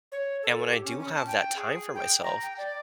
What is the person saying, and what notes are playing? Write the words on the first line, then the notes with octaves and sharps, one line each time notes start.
And when I do have that time for myself,
C#5
A4
G4
C#4
C#4
A5
G5
G#4
G5
A#5
G5
D5